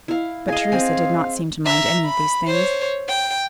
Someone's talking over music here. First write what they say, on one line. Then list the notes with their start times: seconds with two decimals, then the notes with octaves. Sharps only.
But Theresa did not seem to mind any of these things.
0.08 E4 F5
0.48 G#4 D#5 F5
0.72 C4 G#5
1.66 E5 A#5
2.05 B5
2.47 C5 C#5
3.08 G5